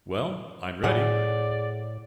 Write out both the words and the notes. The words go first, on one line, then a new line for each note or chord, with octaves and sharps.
Well, I’m ready.
A2 G#4 D5 F#5